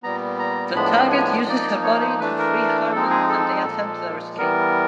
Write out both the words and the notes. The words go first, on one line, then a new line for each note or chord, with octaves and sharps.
The target uses her body to free Harman and they attempt their escape.
A#2 G3 B3 A#5
A#5
A2 F3 G#3 B3 D4 B5
B5
G#5
F3 A#3 D#4 D5
C#5
C5
E3 A3 D4 B4
A#4
F3 G#3 C4 D#4 A4
G#4
A4
A#2 F3 G#3 A4
E3 G3 B3 A#4